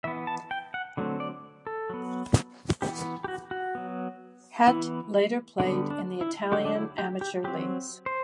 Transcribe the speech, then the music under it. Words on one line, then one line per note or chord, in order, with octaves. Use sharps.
Het later played in the Italian amateur leagues.
E3 B3 E5
A5
G5
F#5
D3 F#3 A3 C4
D5
A4
F#3 B3
E3 B3 G4
G4
F#4
F#4
F#3 B3
E3 B3 E4
D3 G3 B3 D4
D4
E4
D3 F#3 A3 G4
D4
E4
G4
G4
F#3 C4 G4
C5